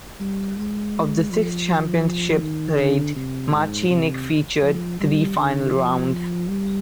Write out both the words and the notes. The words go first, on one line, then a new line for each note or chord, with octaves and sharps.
Of the six championships played, Martinique featured three final rounds.
G3
G#3
F3
D#3
D3
C3
G#2
C3
F3
G3
D3
F3
G3